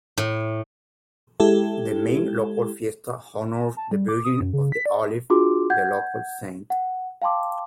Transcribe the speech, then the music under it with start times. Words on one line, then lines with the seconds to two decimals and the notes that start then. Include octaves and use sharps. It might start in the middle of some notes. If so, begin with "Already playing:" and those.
The main local fiesta honours the "Virgin of the Olive", the local saint.
0.18 A2
1.40 G#3 E4 G4 A4
3.77 A5
3.91 G3
4.09 D6
4.25 D#6
4.40 F#2
4.53 C#3
4.72 B6
4.86 D5
5.30 D4 F4 F#4 G#4 C6 D6
5.70 F#5 G6 G#6
6.70 F#5
7.22 F5 G5 A5 C6 D6